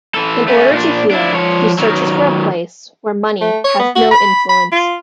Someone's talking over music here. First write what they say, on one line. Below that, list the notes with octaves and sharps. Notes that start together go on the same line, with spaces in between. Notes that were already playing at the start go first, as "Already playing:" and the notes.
In order to heal, he searches for a place where money has no influence.
E3 A4
A3 C#4
A#2 D4
D4 E4
F3 C#5
D#3 F#3
A3
C#5
B3
F#4
B5
B5
F4